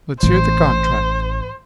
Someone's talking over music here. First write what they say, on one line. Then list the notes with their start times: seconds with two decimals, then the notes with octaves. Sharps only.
"Let's hear the contract!"
0.23 A1 A2 E3 C5